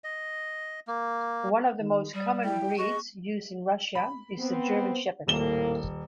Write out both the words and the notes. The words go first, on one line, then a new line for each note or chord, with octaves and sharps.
One of the most common breeds used in Russia is the German Shepherd.
D#5
A#3
D#3
G3 D#6
E4 G5
G#4 D#5 C#6
B5
B3 C4
D#1 A2 A#3 E7 G7